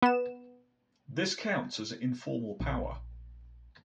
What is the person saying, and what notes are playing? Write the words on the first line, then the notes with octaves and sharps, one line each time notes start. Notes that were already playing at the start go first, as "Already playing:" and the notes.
This counts as informal power.
B3 E7
A#1